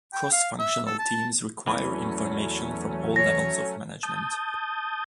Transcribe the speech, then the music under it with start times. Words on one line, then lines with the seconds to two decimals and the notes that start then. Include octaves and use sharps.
Cross-functional teams require information from all levels of management.
0.13 G5
0.32 F5
0.59 E5
0.86 A4
0.99 A5
1.67 E2 E3 F#3 A3 C#4
3.16 C#5 A#6
4.03 A5 D#6 G6